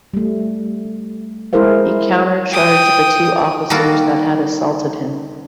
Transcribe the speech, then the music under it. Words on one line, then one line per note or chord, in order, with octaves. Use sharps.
He counter-charged the two officers that had assaulted him.
G3 A3
G#3 E4 G#4 A#4 C5 F5
G5 D#6
D#3 G3 A#3 F#4 A4 A#4